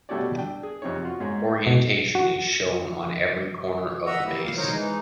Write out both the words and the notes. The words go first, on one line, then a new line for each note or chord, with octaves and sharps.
Orientation is shown on every corner of the base.
B2 G3 A3 F#4 C#5 D5
D4 G5
G#4
F2 C3 C4 D#4 C#5
F4 F#4
G#2 G#3 C#5 A#5
B2
F#4
D#5 E5 F#5 A#5 E6
G3 A#3 E4
F5
D#4 A#4 C5 C#5 D#5
E3 G#3 D#4